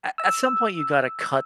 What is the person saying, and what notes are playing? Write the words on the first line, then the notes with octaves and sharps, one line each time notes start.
a at some point, you gotta cut
E6